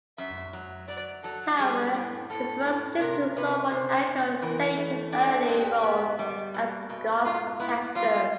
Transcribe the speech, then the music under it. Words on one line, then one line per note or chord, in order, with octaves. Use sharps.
However, this verse seems to somewhat echo Satan's early role as God's tester.
F#2 E5
F#3
F#3 D5
F#3 A4
G3 G#4
A2
A2 A4
A2
C3 A#4
C3 B4
C3 C5
C3
E3 A#4
A3
D4
G#2 G4
B3
G3
B2
B2
G#2 F4
B3 E4
G3 F4